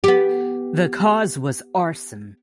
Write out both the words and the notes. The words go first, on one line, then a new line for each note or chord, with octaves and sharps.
The cause was arson.
B3 G4